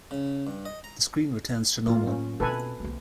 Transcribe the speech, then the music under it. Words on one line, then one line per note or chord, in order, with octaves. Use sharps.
The screen returns to normal.
C#3
G2
D#5
A#5
A2 F#3 A#3 F4
C#4
B2 C4 A4 B4 G#5
C2 A#3